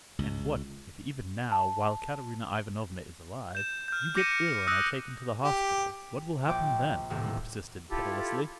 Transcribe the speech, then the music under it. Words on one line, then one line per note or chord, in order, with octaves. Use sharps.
"And, what, if even now, while Katerina Ivanovna is alive, you get ill and are taken to the hospital, what will happen then?" he persisted pitilessly.
C#2
A5
G6 E7
F6 G6
D6 G6 A#6 C#7 D#7 E7
C#7
D#6 E6 F#6 A#6
G4
A#1 G5 D6
D#1 E2 A2 C3 E6
E4 F4 G4 A4